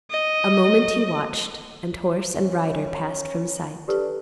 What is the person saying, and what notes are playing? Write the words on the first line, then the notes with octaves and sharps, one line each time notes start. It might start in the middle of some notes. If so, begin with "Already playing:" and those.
A moment he watched, and horse and rider passed from sight.
D#5
C#4
D4 G4 A4 B4